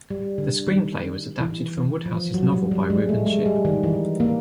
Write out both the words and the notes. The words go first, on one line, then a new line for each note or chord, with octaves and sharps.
The screenplay was adapted from Wodehouse's novel by Reuben Ship.
G3
D3
D#3
E3
E3
F3
F#3
G3
G3
G#3
A3
G#3
G3
D#3
E3
A#3